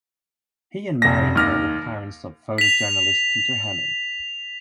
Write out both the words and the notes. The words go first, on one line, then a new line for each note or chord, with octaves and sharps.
He and Marion were the parents of photojournalist Peter Hemming.
F1 A#6
D#2 F6 A#6
B6 F7